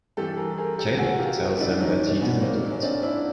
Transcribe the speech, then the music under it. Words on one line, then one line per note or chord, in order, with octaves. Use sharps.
Caleb tells them that he didn't do it.
G2 E3 G4 A4
A4
G#4 A#4
G#4 A#4
G4 A4
F#4 G#4
F4 G4
D4 E4
G#2 E3 C#4 D#4
D4
B3 C#4
A#3 C4
C#4
C4 D4
D4 E4